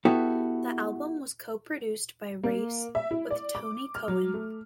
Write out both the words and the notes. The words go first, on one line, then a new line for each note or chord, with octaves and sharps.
The album was co-produced by Race with Tony Cohen.
B3 E4 F#4 G4 A4
A#3
E5
E4
D5
D6
F6
F#3
A3